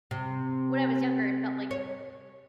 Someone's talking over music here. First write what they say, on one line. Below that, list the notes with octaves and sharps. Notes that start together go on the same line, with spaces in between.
When I was younger, it felt, like,
C3
C#5